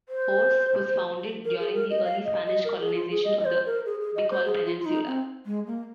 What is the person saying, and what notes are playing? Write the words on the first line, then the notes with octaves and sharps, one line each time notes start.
Oas was founded during the early Spanish colonization of the Bicol Peninsula.
C5
A#4
G#4
A#4
D#5
F5
D#5
D#5
A#4
G#4
F4
G#4
D#5
D#5
C5
A#4
G#4
G#4
D#5
C5
G#4
F4
F4
D#4
C4
G#3
A#3